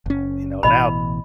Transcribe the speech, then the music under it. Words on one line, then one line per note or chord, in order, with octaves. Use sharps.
You know, now,
F#1 C#4
A1 B2 E3 D#5 B5